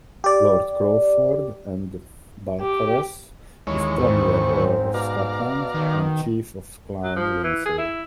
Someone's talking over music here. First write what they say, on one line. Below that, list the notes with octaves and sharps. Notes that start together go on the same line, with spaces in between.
Lord Crawford and Balcarres is Premier Earl of Scotland and Chief of Clan Lindsay.
G4 D5
G4
D#2 E3 G#3 C#4 C#6
G#2 C4
B2 D5 F5 A#5
D#3
F#3
F3
E3
G#4
E4